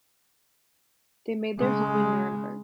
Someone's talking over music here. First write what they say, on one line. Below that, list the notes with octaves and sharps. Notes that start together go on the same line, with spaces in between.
They made their home in Nuremberg.
C#3 G#3